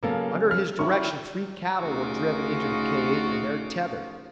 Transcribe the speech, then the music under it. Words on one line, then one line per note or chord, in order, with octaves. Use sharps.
Under his direction, three cattle were driven into the cave and there tethered.
C#3 F#3 A#3 B3 A4 F5
F6
F#3 C#4 E4 C#6
D2 C#3 D#4 F4 F#4 D6